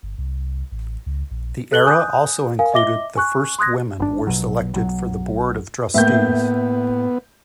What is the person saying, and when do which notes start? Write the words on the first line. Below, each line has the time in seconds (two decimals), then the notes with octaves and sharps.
The era also included the first women were selected for the Board of Trustees.
0.03 G1
0.18 C2
0.72 A1
1.06 C#2
1.31 A#1
1.72 A4 F#6 F#7 G7
1.86 G#5 D#6 F#6 G6
2.59 A#4 F5 G#5
2.74 D#5 E5 D6 A#6 G7
3.16 G#5 C#6 F#6
3.59 C6 D#6 F#6 G#6 A#6
4.00 G#1 D4
4.27 A#1 B2 F#3
4.74 B1 F#3
5.94 A2 A#3 B3 E5 G6